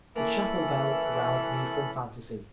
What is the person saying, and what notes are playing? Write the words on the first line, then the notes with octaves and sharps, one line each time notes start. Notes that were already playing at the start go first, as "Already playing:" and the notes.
The chapel-bell roused me from phantasy.
E3 A#3 C#4 A4 B5